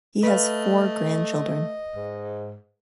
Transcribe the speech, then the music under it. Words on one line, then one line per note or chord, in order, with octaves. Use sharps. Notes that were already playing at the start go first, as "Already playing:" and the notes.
He has four grandchildren.
A3 B4 D#5 F5
G#2